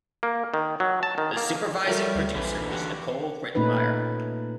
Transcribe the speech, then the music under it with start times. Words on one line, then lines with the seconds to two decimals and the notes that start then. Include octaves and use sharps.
The supervising producer was Nicole Rittenmeyer.
0.23 A#3
0.54 D#3
0.80 F#3
1.03 A5
1.18 D#3
1.37 A#3
1.86 F#3 G3 A3 A#4 G5 G6
2.15 D2
2.35 A#1 D3 E3 C4 B5
2.70 F#4 G4 F#5
3.08 C6
3.55 A#2 A3 C#4 D#4 B4